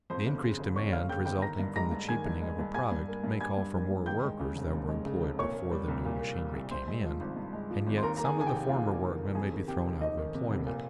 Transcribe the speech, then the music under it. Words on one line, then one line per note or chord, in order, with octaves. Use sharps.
The increased demand resulting from the cheapening of a product may call for more workers than were employed before the new machinery came in, and yet some of the former workmen may be thrown out of employment.
F2 C5 C6
G1
C#3
G1
F2 C#5 C#6
G1 F5 F6
C#3 G5 G6
G1 G5 G6
D#3 A#5 A#6
G2
G#3 A#5 A#6
G2
D#3 G#5 G#6
G2
G#3
G2
G3 G#5 G#6
G2
A#3
G2
G3 G#5 G#6
G2
A#3
G2
D#2 G5 G6
G#3
C#3
F1
D#2
G#3
C#3
F1
A#2 C#5 C#6
A#3
G3
C2
A#2
A#3
G3
C2
G2 C5 C6
G#3
F3
G#1
G2
G#3
F3
G#1
C6
D#2 A#4 A#5
A#3 A#5
G#4 G#5
D#3 G#5
G4 G5
F1
D#2 F4 F5
A#3
D#3
F1
F2 G#4 G#5
D#3
C3 G4 G5
F1
F2 D#4 D#5
D#3
C3
F1
A#2